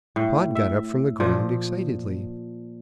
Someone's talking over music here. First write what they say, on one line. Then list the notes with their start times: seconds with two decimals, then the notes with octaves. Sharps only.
Pod got up from the ground excitedly.
0.16 A2
0.55 E5
1.20 A#2 F3